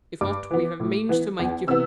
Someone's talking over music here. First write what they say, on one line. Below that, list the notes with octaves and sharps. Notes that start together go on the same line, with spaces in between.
If not, we have means to make you.
G2 D6
E3 B3
A2
E3 B3
E2
C3 E3 B3 E6